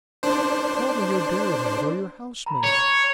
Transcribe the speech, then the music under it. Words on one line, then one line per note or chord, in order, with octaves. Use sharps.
Call me your dairymaid or your housemaid.
D4 C5
A#5 B5
C#5